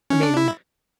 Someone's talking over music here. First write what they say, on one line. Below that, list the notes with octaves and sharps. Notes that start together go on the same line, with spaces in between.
I mean
C#4
D4
E4